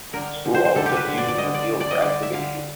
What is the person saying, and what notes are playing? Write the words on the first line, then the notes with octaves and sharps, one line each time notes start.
The school also uses the field for activities.
D3 G3 A#4
D3 G3
C5
C5
D3 G3 A4
G4
B4
D3 G3
D5
D5
D3 G3 D#5
D5
D3 G3
D5
D#5
D3 G3 D5
E5
D3 G3 F5